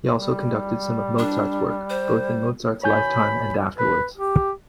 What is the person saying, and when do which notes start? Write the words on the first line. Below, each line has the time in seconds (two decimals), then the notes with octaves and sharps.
He also conducted some of Mozart's works, both in Mozart's lifetime and afterwards.
0.11 G3
1.19 D4
1.90 C5
2.83 B2 D#3 C#5 G#5 B5 G6
3.78 B4
4.17 G4